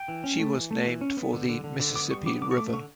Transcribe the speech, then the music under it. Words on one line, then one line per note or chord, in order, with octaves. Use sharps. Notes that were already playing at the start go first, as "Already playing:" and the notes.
She was named for the Mississippi River.
Already playing: G5
E3
C#4
A3
E3
A3
E3
C#4
B3
D3
D3
D3
D3
B3 D6
G3 C#6
B3 D6
D3 D6
C#6
A3 D6
D3 C#6